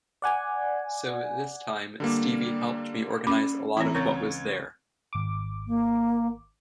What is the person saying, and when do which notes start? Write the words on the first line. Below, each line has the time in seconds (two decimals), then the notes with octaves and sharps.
So, this time, Stevie helped me organize a lot of what was there.
0.22 D5 F#5 G#5
2.00 D3 G3 A#3
3.27 C#4 B5 D6
3.77 E3 C4 E4
3.94 C#2 C4 A#4 C#5 A6
5.13 G#1 D6
5.67 A#3